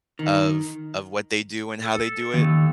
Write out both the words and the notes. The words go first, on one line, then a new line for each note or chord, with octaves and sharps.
of of what they do and how they do it,
D#3
A4
D#2